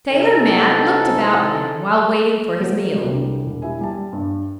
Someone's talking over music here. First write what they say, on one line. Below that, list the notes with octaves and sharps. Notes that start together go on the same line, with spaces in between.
Sailor Matt looked about him while waiting for his meal.
C3 E3 D#4 A4
F#3 A3 F#4 A4 A#4 C#5
C2 D3 E3 G3
E1
E4 G4 E5 G#5
G3 A5
G2